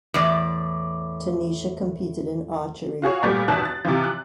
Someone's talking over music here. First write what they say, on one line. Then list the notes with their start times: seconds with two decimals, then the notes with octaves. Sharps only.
Tunisia competed in archery.
0.14 E2 A2 D5
3.02 F4 F#4 G#4 C#5
3.23 A#2 G3 A3 B3 G4
3.48 E2 B2 D#3 E5 A5 F#6
3.65 A6
3.85 C3 E3 F3
4.04 F#6